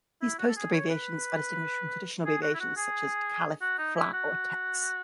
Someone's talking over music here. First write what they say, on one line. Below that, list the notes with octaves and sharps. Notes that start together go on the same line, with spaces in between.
These postal abbreviations are distinguished from traditional abbreviations such as Calif., Fla., or Tex.
E4
F#4
A4
G#4
C#5
B4
G#4
F#4
E4
F#4
G#4
F#4
D#4
E4
F#4